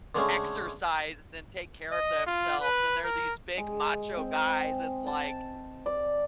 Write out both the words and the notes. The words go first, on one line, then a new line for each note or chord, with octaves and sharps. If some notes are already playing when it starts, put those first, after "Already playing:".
exercise then take care of themselves and they're these big, macho guys, it's, like,
D3 G#3 A3 C#4 G#4
D#5
F4
B4
A#4
G#3
C4
A5
D5